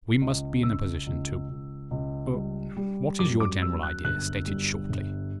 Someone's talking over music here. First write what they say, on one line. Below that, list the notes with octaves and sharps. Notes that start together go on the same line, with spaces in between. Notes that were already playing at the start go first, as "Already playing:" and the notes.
We must be in a position to--What is your general idea, stated shortly?
C#2
C#2 E6
C#2
C#2
C#2
G3
G3
F#2 D6
D6
F#2 E6
F#6
G1 F#6
G3
G1